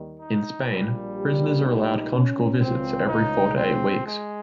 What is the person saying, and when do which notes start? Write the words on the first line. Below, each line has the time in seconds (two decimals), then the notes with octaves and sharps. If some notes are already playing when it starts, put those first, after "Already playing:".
In Spain, prisoners are allowed conjugal visits every four to eight weeks.
Already playing: D#2 D#3 G3
0.20 D#4
0.68 A#1 A#2 G3
1.17 G4
1.64 D#4
2.13 C#4
2.60 C#2 C#3 F3 C4
3.08 D#4
3.57 C4
4.05 G#3